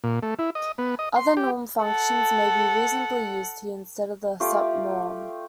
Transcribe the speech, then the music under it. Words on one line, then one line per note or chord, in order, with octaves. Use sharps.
Other norm functions may be reasonably used here instead of the sup-norm.
A#2
A3
E4
D#5
B3
D#5
C6
G4
A4 F#5
A3 F4 G4 D5